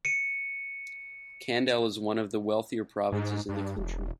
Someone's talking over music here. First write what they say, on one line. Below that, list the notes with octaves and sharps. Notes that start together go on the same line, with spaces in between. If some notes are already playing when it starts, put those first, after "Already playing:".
Kandal is one of the wealthier provinces in the country.
C#7 D#7
G#2
G2
E1